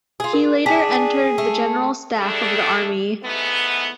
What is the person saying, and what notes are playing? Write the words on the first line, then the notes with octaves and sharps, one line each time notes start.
He later entered the General Staff of the Army.
F4 G#4
A#4
D4 G#4 G5 G#5 B6
A3
D#3 G3 A3 D4 G#4 A4
E2 G#2 A3 B3